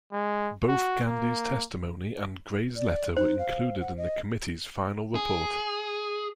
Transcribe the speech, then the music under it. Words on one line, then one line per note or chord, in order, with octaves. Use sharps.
Both Gandy's testimony and Gray's letter were included in the committee's final report.
G#3
F#4
A#3
D5
D#4 C5
F5
F#5
D#5
G#4